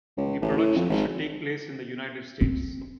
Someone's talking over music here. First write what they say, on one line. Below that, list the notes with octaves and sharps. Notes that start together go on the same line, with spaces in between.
The production should take place in the United States.
C#2
A1
A2
F2
G#1
C4